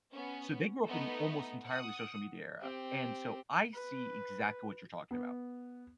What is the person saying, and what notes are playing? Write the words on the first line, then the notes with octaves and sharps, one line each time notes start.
So they grew up in almost entirely social media era, and so I see exactly what you're talking about.
B3 C#4
A3 B3 D#4
F#5 D#6
C4 G4
B4
B3